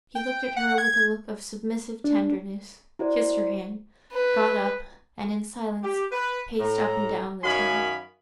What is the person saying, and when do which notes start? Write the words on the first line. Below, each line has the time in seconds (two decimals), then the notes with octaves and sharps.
He looked at her with a look of submissive tenderness, kissed her hand, got up, and, in silence, paced up and down the terrace.
0.15 G5
0.56 F#5
0.78 G#6
2.04 D4
2.99 E4 F#4 C5 D5
4.13 B4
5.83 G4
6.12 B4
6.60 A2 A#5
7.43 F#2 D#3 F#3 F5 G#5 B5